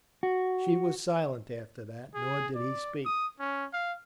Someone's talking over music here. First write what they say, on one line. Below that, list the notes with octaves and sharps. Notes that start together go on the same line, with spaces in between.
She was silent after that; nor did he speak.
F#4
G#4
D5
D#6
C#4
F5